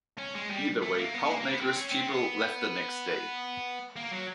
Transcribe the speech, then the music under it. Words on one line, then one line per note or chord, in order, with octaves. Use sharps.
Either way, Poundmaker's people left the next day.
C#4
G#3
G3
A3
A#3
B3
A#3
A#3
B3
C4
C#4
C4
B3
A#3
F#3